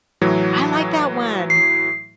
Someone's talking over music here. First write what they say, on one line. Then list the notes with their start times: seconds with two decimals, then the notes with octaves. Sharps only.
I like that one.
0.21 A2 E3 F#3
1.50 C7